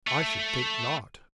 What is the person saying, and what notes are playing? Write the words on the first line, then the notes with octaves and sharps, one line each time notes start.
"I should think not."
A3